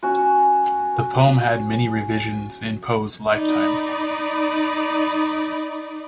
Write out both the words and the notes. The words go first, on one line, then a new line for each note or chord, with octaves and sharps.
The poem had many revisions in Poe's lifetime.
C#4 F#4
D#4 D5 B5